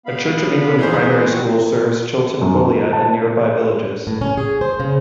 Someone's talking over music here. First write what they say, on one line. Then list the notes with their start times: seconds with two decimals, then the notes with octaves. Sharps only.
A Church of England primary school serves Chilton Foliat and nearby villages.
0.06 B3 F5 B5
0.79 E3 D#4 G#4 C5
1.30 F3 C4 F#4
2.41 F#2
2.54 D#3
2.93 A5
4.07 A2
4.21 C#4
4.38 G#4
4.61 C5
4.80 C#3